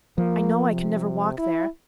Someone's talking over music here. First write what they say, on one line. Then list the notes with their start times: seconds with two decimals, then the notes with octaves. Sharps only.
I know I can never walk there.
0.18 F3 A#3
0.71 C3
1.38 E4